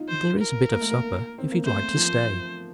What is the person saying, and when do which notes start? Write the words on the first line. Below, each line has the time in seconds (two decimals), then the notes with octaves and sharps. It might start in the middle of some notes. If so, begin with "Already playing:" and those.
But there is a bit of supper, if you like to stay.
Already playing: D#4 F4
0.09 C5
0.40 A#4
0.72 A#3
0.81 A3
0.91 A#3
1.38 C4
1.52 A#3
1.65 A3 C5
1.96 F3